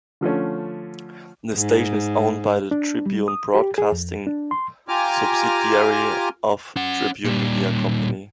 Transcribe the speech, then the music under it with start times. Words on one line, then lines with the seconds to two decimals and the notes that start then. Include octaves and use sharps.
The station is owned by the Tribune Broadcasting subsidiary of Tribune Media Company.
0.21 D3 F3 A3 C#4
1.55 G#2
2.71 D4
3.06 G3
3.28 D#6
3.55 G4
3.78 G#4
3.92 F2
4.27 D4
4.51 C6
4.88 F4 G4 G#5 A#5 D6 F6
6.76 C#4 F#5
7.25 A#2 G3